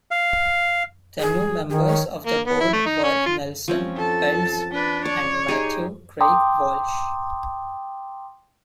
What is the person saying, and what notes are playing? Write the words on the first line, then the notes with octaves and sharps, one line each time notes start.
The new members of the board were Nelson Peltz and Matthew Craig Walsh.
F5
G#4
D#3 G#4
C#5
A#3
B3
E4
A3
D#4
C#4
F4
F3 C4 C#4
A4 A5
D4 B4
C#5 D5
D#4 G4 G#4
G5 A#5 C6 D6 D#6